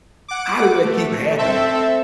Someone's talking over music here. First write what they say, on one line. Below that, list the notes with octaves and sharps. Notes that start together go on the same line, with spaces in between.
how does that keep happening?
F#5 D6
A3
C4 A4 E5